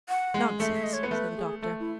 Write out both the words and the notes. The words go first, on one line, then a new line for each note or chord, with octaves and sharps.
"Nonsense," said the Doctor.
F#5
G#3
A3 E5
E5
D#5
C#5
B3
A3 B4
G#4
A3 A4
E4